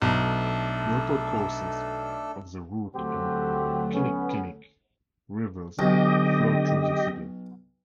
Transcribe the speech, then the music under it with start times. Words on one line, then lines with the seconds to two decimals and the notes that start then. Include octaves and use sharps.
The upper courses of the Root and Kinnickinnic Rivers flow through the city.
0.02 B1 A3 D4 A4
2.96 D2 F#3 A3 C4 F#4 G4
3.94 B3 C#4
5.79 B1 D3 G4 D#5